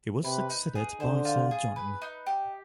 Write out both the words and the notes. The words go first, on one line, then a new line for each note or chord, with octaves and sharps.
He was succeeded by Sir John.
C3 B4
D#4
G#4
D3 C5
F4
G#4
B4
D#4
G4